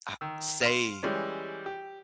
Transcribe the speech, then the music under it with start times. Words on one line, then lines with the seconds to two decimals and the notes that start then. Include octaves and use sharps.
uh, say
0.21 D#3 E6
0.61 F5 C6
1.03 E3 G3 G#3 C#4
1.66 G4